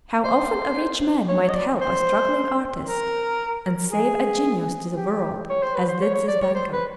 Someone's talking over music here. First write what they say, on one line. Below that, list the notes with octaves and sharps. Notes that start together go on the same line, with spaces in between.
How often a rich man might help a struggling artist, and save a genius to the world, as did this banker!
C5
C#5
C#5
D#5
D5
C5
A#4
G#4
G4
C#5
C5
B4
C5
C#5
C#5
D5
C#5
C5
B4